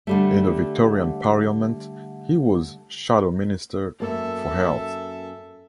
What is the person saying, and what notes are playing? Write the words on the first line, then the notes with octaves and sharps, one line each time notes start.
In the Victorian Parliament he was Shadow Minister for Health.
D3 G3 A3
F#2 A#3 A4 E5